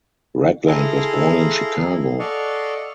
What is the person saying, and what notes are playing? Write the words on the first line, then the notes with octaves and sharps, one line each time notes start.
Ragland was born in Chicago.
E4 G#4 A4 F5 A#5 C6
A4 D5 D#5 F5 F#5 C#6